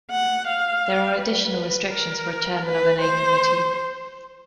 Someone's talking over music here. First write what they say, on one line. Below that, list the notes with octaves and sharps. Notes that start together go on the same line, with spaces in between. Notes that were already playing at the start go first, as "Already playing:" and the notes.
There are additional restrictions for a chairman of an A Committee.
F#5
F5
B4
A#4
B4
C5